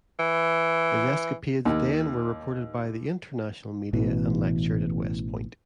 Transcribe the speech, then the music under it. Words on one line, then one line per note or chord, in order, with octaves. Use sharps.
His escapades then were reported by the international media and lectured at West Point.
E3
D#2
A1 B2 E3